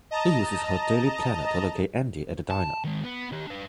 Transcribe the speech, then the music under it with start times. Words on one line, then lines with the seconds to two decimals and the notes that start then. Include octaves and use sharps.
He uses her daily planner to locate Andy at the diner.
0.11 D#5 A5 A#5
2.50 A5
2.84 D#3 G#3
3.04 B3
3.32 D#3 G4
3.46 D4 B4